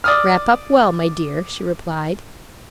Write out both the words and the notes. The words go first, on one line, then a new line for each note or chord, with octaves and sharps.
"Wrap up well, my dear," she replied.
D5 D#6 F6